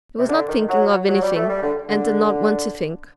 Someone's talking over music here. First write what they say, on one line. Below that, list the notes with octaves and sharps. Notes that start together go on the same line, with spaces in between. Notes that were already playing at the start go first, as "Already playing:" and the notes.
He was not thinking of anything and did not want to think.
C3
D3
D#3
F#3
F#3
G3
A3
G3
D3
D3